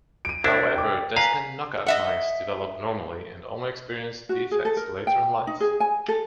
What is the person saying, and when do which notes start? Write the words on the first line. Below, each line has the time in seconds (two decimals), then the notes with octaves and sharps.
However desmin knockout mice develop normally and only experience defects later in life.
0.25 D7 D#7
0.44 C2 D4 E4 A6
0.75 G5 D6
1.16 B4 F5 G#5 A#5
1.86 D#5 E5 F#5
4.29 F#4
4.51 G#4
4.65 A4
4.77 A#4
5.07 G5
5.47 D#4
5.60 G#4
5.80 G#5
6.08 A4